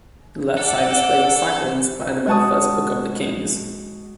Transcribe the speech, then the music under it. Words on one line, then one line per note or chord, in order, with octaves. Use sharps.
The left side displays a cycle inspired by the first book of the Kings.
A4 D5 F#5
G#3 F#4 A5 C#6 D#6